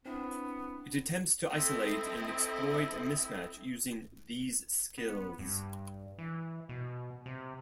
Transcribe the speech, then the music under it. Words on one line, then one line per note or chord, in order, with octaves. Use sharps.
It attempts to isolate and exploit a mismatch using these skills.
B3 C4 D4 E4
C4 E4 A4 D#5
B3
G2
E3
B2
C3